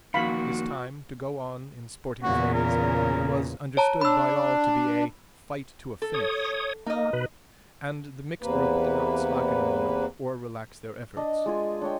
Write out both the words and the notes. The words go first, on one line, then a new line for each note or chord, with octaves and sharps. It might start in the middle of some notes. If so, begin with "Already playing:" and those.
This time, to go on in sporting phrase, it was understood by all to be a 'fight to a finish,' and the mixed group did not slacken a moment or relax their efforts.
F2 A#2 D#3 F#4 F5 B5
E2 A#2 C#3 F#4
A#4
C#5 A5 A#5
D4 B5 E6
A4
C#5 D#6
A#3 D#4 D#5
B2 B4
E2 C3 A#3 B4
D4 D#5
G#3 F4 G#5
D4 C#5 G5